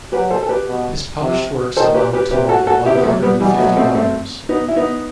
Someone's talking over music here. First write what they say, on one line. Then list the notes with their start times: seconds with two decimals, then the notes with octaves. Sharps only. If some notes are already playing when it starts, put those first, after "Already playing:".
His published works amounted to more than one hundred and fifty volumes.
0.12 F#3 G4 B4
0.30 A4 C5
0.43 A4
0.49 G4 B4
0.67 B2
1.22 C3
1.77 D#3 A4 C5
1.94 G4 B4
2.13 G4 B4
2.31 C3 G4 B4
2.49 F#4 A4
2.67 F#4 A4
2.86 C3 E4 G4
2.95 B3
3.03 F#3 A3
3.22 G3 B3
3.40 B2 E3 G3
3.59 F#3 A3
3.77 A3 C4
3.95 A3 C4
4.49 B3 D#4
4.68 E4
4.76 B3 D#4